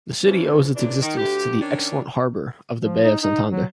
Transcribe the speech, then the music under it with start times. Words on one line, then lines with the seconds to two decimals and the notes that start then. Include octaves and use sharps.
The city owes its existence to the excellent harbour of the Bay of Santander.
0.24 E2 G#2 E3 F3 C#4
0.75 A#2 C#3 E3 D4
1.01 D#3
1.17 D2 G4
1.60 D#3 C#4 D4
2.81 F3
3.04 D#4
3.23 D#4
3.51 F#3